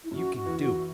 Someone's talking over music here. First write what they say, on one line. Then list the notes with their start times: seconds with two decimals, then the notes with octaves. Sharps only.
You can do it.
0.04 E4
0.11 F#2 F#4
0.34 F#4
0.46 E3
0.57 F#4